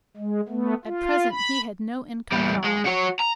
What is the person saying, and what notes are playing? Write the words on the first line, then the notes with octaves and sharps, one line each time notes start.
At present he had no income at all.
G#3
A3 B3
F4
B5
E2 G3
G#3
F#4 C#5
A#5